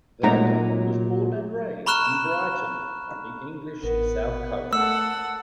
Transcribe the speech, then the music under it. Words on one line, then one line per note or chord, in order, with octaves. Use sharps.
Virgo was born and raised in Brighton, on the English South Coast.
A#2 F#3 G#3 A3 C4 D#4 F#5 A#5
A#5 B5 C#6 F6 F#6 E7
A1 B3 A#4
A3 A4 F#5 E6